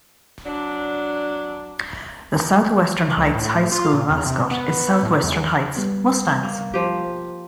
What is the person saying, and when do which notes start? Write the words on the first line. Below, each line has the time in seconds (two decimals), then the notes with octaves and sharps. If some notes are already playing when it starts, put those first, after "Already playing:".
The Southwestern Heights High School mascot is Southwestern Heights Mustangs.
0.46 F#3 D4
3.17 C#2
3.35 A2
3.72 F4
3.94 A#2
4.10 E2
4.26 C3
4.51 B3
5.03 A2
5.24 E2
5.77 G3 B3
6.43 A#3
6.74 F3 G4